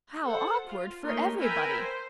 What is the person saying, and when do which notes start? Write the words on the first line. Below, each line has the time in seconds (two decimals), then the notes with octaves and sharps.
How awkward for everybody!
0.21 A4 C5 F#5
0.65 F4
1.03 A3 A#3 D#4 A#4 C#5 C6
1.36 A#4 B4 E5 G5 G#5 B5
1.78 C5